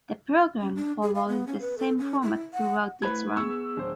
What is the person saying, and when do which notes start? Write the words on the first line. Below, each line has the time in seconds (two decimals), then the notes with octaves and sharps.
The programme follows the same format throughout its run.
0.61 C#4
0.75 D4
1.02 G#4
1.15 F5
1.28 B3
1.47 C#4
1.61 B4
1.78 A4
1.98 C#4
2.23 E4
2.53 F#5
3.02 A3 E4 B4 B5 G#6
3.36 B3 G#4 C#6 E6
3.77 D1 C5